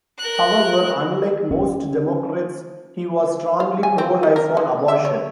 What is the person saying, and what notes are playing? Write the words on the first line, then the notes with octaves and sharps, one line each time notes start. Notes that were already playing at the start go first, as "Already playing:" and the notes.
However, unlike most Democrats, he was strongly pro-life on abortion.
A#4 F#6
C#4
F5
G#5
C4
G3
A#4
D3
E5
C#5